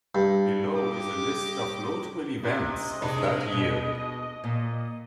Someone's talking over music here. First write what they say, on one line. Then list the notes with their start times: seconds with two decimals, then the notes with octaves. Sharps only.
Below is a list of notable events of that year.
0.15 G2
0.76 G4 D#5 D6
2.43 C3 D#5
3.02 C3 G#3 D4 D#4
3.52 B2
4.44 A#2